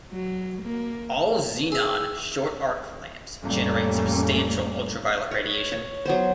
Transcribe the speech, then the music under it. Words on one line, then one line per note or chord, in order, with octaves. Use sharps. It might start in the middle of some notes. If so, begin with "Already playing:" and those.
All xenon short-arc lamps generate substantial ultraviolet radiation.
F#3
A#3
G#4 E5 E6
A1 F2 G3 A3 A#3 C#4
B4 C#5
C#5
F#3 B3 C5